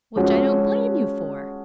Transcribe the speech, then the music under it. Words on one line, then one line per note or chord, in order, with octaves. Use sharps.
'Which I don't blame you for.
F3 G#3 C#4 F#4